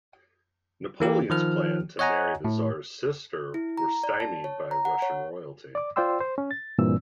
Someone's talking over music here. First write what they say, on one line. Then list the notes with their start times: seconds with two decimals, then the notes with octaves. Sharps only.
Napoleon's plans to marry the tsar's sister were stymied by Russian royalty.
1.00 E3 A#3 G4
1.30 D#3 F3 F6
1.99 C#5 D#5 F#5 G#5 A#5
2.44 A2
3.54 E4
3.78 A#5
4.04 D5
4.20 A5
4.44 C#5
4.71 A#5
4.85 F#5
5.02 C#5
5.75 D5 D6
5.96 F4 C5 D5 G5 C6 E6
6.20 C5
6.38 C#4
6.51 A6
6.78 G2 A#2 E3 C4 E6